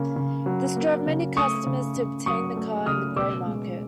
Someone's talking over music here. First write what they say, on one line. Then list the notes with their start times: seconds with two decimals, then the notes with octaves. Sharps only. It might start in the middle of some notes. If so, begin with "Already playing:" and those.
This drove many customers to obtain the car in the gray market.
Already playing: C#3 A#3
0.16 C#3
0.46 F#3
0.76 A#3
1.06 C#3
1.37 A3 C#6 D#6
1.66 C#3
1.96 C#3
2.26 F#3 C#6 D#6
2.56 A3
2.86 C#3 D#6 F6
3.16 B2 D6 E6
3.47 G#3